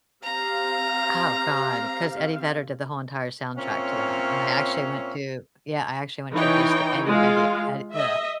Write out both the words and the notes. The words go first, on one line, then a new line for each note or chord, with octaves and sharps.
Oh, God, 'cause Eddie Vedder did the whole entire soundtrack to that, and I actually went to yeah, I actually went to this, the Eddie Vedi Ed ugh,
C4 G4 F5 A#5
A#2 C4 C#4 C#5 E5 F5
E3 D#4 C#5 G5
G#3 F4 F5
D#5 E5